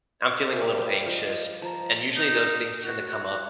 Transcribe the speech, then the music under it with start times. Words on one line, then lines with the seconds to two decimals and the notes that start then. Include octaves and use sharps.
I'm feeling a little anxious, and, usually, those things tend to come up
0.45 A#4 C5 E5
0.61 G3 D6
1.06 F3 C5 D#5 F6
1.62 F3 A5 A#5
2.16 D#4
2.83 F#4